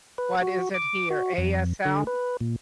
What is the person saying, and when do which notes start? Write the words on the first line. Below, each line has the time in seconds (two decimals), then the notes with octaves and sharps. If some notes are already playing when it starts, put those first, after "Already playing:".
What is it here? ASL?
0.18 B4
0.42 F#4
0.74 D6
1.10 F#4
1.38 F2
1.85 D3
2.07 B4
2.41 A#2